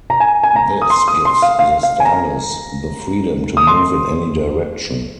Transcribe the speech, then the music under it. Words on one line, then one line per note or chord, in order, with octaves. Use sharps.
This gives the stylus the freedom to move in any direction.
A#5
G#5
G#5
A#5
D#6
C6
D#6
C6
F5
F5
F5
G#5
A#5
D#6
C6